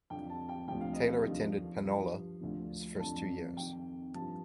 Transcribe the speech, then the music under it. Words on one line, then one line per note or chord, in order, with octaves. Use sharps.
Taylor attended Panola his first two years.
F2 D3 F3 G5
A5
G5
D2 C3 F3 G5
F5
D#5
F5
D#2 D3 F3
G2 F3
D2 D3 F3
F2 D3 F3 A5
F2 D#3 G5
G2 F3 A5